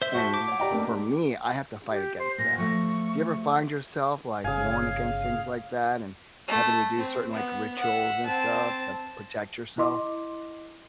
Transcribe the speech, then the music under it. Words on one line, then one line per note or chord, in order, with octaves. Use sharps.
And for me, I have to fight against that. Do you ever find yourself, like, warned against things like that and having to do certain, like, rituals and stuff to protect yourself?
C5 E5
F#4 A5 C#6 G6 B6
D6
C#5 F#5
G4 D5 D#5 G5 A#5
A3 A#3 D4
G4
C5
A#2 A#6
F3 A3 C#6
G1 C#3 G#4 F5 G#5
A3
C4
B3
E5 F#5
C4 A5
E4 D#5 C6 D6